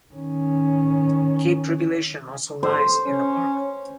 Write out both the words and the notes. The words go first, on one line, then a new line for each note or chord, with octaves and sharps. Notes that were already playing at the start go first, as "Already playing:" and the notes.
Cape Tribulation also lies in the park.
D#3 C#4
C5
C#4